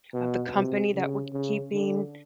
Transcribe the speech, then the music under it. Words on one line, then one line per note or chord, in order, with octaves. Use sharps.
of the company that we're keeping.
B2
C3
C#3
C#3
D3